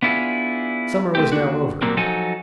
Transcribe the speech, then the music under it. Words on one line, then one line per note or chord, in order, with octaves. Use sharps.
Summer was now over.
B3 D4 E4 F4 G#4
A3 C4 G4
D#2 D4 F#4
A#2 F#3 G3 A#3 C4 D4
F3 F#3 D#4 F#4 A4 G#5